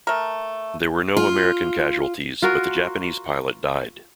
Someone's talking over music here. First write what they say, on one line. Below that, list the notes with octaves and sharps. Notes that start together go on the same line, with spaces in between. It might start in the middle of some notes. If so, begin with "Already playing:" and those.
There were no American casualties, but the Japanese pilot died.
A3 A#4
F4
F4 F#4 A#4